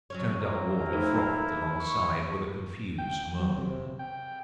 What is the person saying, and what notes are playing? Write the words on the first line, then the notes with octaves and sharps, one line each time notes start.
The churned-up water frothed alongside with a confused murmur.
F#3 C#4 C#5
A#3 C4 A#4
A3 D#4 E4 C5
C#6
G5
F#3
C3
G5